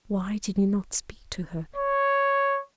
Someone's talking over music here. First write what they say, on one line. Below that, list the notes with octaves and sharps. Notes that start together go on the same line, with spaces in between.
Why did he not speak to her?
C#5